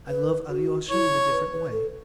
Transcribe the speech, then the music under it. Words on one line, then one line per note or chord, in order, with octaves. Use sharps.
I love Alyosha in a different way.
B4
F#4
E4 C#5
B4
B4
A4